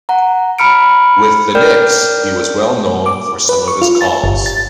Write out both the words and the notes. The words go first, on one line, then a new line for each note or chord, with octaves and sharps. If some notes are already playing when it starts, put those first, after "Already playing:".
With the Knicks, he was well known for some of his calls.
F#5 A#5
A#5 B5 F6 C#7 D7
A#4 D5 G5 F6 G6
D6
B4
C#6
F4
A6
G1
A6